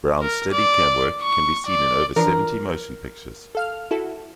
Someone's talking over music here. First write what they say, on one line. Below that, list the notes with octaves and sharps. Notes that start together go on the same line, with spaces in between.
Brown's Steadicam work can be seen in over seventy motion pictures.
A#4
D5
C#6
D5
E3 F3 D4 A#4
A4 F5 F6
E4 F#4 A4